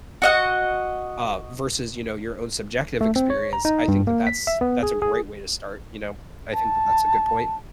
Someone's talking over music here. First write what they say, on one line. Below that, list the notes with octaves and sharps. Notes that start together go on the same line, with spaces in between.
uh, versus, you know, your own subjective experience, I think that that's that's a great way to start, you know? I think that that's a good point.
F#4 D#5 F#5
A3
C4
C#5
A#5
D#4
G2
A#3
B6
E5
B3
G#4
G#4
A5